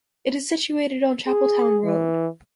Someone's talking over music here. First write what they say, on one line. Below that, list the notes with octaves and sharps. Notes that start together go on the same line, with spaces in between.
It is situated on Chapeltown Road.
G#4
E3